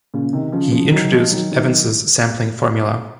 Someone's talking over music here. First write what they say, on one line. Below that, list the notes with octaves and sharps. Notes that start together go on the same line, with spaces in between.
He introduced Ewens's sampling formula.
A#2 C#3
C3 D#3
C#3 F3
C#3 F3
D#3 F#3
F3 G#3
D#3 F#3
D#3 F#3